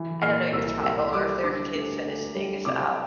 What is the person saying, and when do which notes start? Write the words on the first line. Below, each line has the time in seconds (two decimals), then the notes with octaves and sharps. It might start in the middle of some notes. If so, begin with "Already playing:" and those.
I don't know your child or if their kid says things, uh,
Already playing: E3
0.22 A#2 F6
0.53 C2 E6
0.83 C2 E6
1.13 G3 D6
1.44 D3 D6
1.75 D2
2.05 D2
2.35 G3
2.65 C3 D6